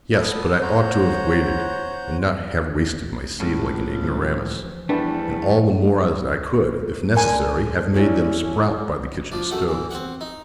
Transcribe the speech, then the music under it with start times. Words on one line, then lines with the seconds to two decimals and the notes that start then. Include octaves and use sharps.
"Yes; but I ought to have waited, and not have wasted my seed like an ignoramus; and all the more as I could, if necessary, have made them sprout by the kitchen stoves."
0.13 B3 A4 D#6
0.62 C5 C#5 F#5 A#5 G6
3.40 C#2 A2
4.03 E3 F3
4.89 E2 G3 A3 D4 B4
7.15 C#2 D3 A4 A#4 G#5 C6
7.94 F#3 G3 C#4 E4 D5
9.32 F3 D4
9.51 F#2 A3 F#5
9.68 E2 E3
9.91 C4 F#5
10.21 D#4